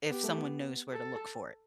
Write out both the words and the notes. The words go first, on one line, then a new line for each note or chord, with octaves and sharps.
if someone knows where to look for it,
B3 G4
A3
B3
A4